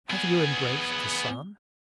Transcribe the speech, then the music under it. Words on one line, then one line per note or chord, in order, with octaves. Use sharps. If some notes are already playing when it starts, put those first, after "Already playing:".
Have you embraced the Son?
B3 G#4